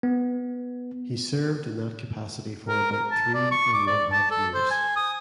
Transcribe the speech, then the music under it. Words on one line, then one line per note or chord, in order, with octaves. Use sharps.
He served in that capacity for about three and one half years.
B3
A#4
A#4
A5
D5
C#6
D6
D5
A5
A4
C5
G#5
D#6